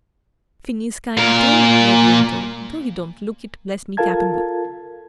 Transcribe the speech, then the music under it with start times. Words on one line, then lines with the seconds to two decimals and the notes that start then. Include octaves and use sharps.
Finney's kind, too," Ned went on, "though he don't look it, bless me cap and boots!
1.17 A#2 A#4
3.97 F4 A4 A#4 F5 A5 G#6